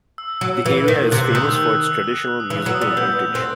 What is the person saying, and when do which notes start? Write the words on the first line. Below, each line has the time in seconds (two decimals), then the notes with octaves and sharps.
The area is famous for its traditional musical heritage.
0.18 E6
0.41 F#3
0.66 E3
0.88 D#3
1.11 C3 F#6
1.24 E6
1.35 D#3 D#6
1.49 E6
2.04 F#6
2.40 D#6
2.50 E3 E6
2.62 F#3 E6
2.74 D#6
2.81 G3
2.85 E6
2.97 B3 G6
3.35 C4